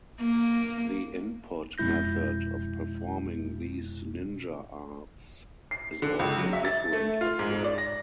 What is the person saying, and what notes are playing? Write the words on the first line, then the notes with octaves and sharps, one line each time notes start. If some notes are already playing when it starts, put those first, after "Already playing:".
The input method of performing these ninja arts is also different as well.
A#3
F2 B2 G#3 E4 G6 A#6
C7
D3
C#2
F#3
E5
A6
A3
F4
G#2
D5
A#6